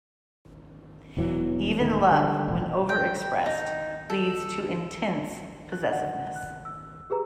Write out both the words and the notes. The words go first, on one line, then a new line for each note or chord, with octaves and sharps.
Even love, when over-expressed, leads to intense possessiveness.
E1 E2 E3 F#3
D1 D#3 A3
D3 G3
E1 A1
G5
D#4
A4
F#6
F#5
F#6
E6
G4 G#4 B4 A#5